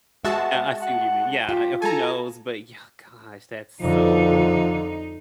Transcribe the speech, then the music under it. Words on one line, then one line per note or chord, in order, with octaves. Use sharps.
I I see what you mean, yeah, uh, who knows? But, yeah, gosh, that's so
G#3 B3 F#4 E5 A5
F#5
F4 G4
A4 G#5 A#5
F2 D3 F3 D#4